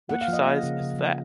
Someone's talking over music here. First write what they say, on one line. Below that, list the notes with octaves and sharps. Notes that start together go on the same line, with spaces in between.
Which size is that?
A#3 F#5
F5
F3
D#5
A#3
C#3
C#3
F3